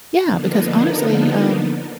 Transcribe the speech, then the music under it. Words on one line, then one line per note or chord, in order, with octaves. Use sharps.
Yeah, because, honestly, um,
D3 F3 A#3 B3 D4 D#4